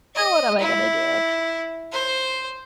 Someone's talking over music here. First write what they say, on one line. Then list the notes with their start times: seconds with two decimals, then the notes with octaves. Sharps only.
“Now, what am I gonna do?"
0.15 D#5
0.61 E4
1.92 C5